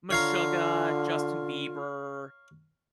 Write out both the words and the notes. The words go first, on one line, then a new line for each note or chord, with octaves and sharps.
Meshuggah, Justin Bieber,
D3 F4 C#5 F5 A#5